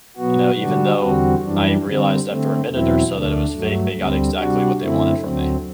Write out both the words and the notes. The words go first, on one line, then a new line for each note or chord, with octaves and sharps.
you know, even though I realized after a minute or so that it was fake, they got exactly what they wanted from me.
B2 F#3 B3 F#4
D3 G3 D4 F#4
E2 D3 G3 C4 F#4
F#2 E3 G3 D4
D3 G3 C4
D3 A3 C4
E2 B2 F#3 C4 E4
D2 D3 A3 D4
G2 F#3 A3
D2 D3 G3 C4
C3 G3 D4 F#4
F#2 D3 A3 C4 E4
D2 D3 F#3 C4